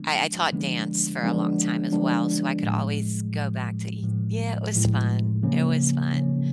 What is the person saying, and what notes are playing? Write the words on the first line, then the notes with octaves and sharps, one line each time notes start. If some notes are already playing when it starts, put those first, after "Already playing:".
I I taught dance for a long time as well, so I could always go back to e yeah, it was fun. It was fun.
Already playing: D3 F3 G#3 B3 D4
D3 F3 G#3 B3 D4
D3 F3 G#3 B3 D4
D3 F3 G#3 B3 D4
A2 F3 G#3
A2 F3 G#3
A2 F3 G#3
A2 F3 G#3
C#3 F3 A#3 C#4
C#3 F3 A#3 C#4